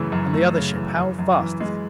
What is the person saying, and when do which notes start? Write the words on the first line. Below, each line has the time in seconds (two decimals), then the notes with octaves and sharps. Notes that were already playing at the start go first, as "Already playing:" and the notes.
"And the other ship--how fast is it?"
Already playing: F#2 C#3 E3 A3
0.12 F#2
0.33 A3
0.54 C#3
0.76 E3
0.97 F#2
1.19 F#2
1.39 E3
1.61 G#3